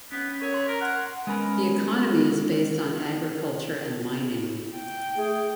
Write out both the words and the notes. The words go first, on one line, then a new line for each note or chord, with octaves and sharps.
The economy is based on agriculture and mining.
B3 C#4
A#4 C#5
C6
A#4
F#5
G#3 B3 C#4 A#4 B5
G5
A3 G#4